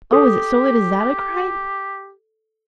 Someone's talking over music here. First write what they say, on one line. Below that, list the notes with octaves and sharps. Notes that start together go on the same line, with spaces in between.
"Oh, is it so late as that?" I cried.
G4 A4